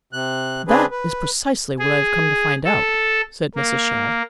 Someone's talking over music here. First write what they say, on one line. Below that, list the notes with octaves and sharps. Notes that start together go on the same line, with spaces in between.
"That is precisely what I have come to find out," said Mrs. Shadd.
C3 F#6
C#3 C4 D4 G#4 B4
B4
G#4
A4
A#3